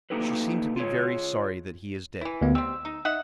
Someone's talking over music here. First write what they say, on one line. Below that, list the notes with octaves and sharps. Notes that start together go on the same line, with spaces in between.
"She seems to be very sorry that he is dead."
A3 A#3 D#4 G4 A4 B4
F4 G#4 C#5
E3 E4
D2 B3
G3 C4 E6
D#4
D#4 E5 F#5